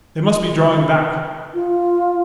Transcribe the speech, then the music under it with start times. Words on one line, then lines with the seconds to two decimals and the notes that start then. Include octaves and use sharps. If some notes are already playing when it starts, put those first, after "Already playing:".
They must be drawing back.
1.54 F4